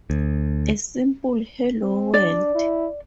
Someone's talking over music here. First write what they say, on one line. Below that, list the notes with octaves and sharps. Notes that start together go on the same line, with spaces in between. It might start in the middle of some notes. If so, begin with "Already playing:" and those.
A simple Hello, world!
D2
C4
D4 D5
E4